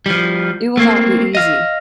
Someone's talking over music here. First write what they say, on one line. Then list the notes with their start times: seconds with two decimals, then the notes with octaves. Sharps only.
It will not be easy.
0.06 F3 G3
0.77 A3 A#3 C4
1.35 D#5 F5